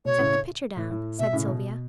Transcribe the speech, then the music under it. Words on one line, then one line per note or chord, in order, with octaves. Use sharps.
"Set the pitcher down," said Sylvia.
B2 C#5
A2 C#3
A2
A2
B2 E5
A2 C#3
B2